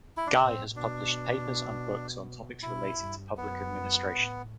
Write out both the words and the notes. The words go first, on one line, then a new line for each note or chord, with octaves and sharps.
Guy has published papers and books on topics related to public administration.
E4
D4
A2 C4
B2 D4
B2 E4
G2
F#2 B3
A2